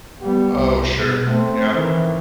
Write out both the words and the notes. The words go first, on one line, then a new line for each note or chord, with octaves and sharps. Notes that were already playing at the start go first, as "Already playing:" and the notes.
Oh, sure. Yeah.
G3 B3
C2
B2
A3 C4
D#3 E3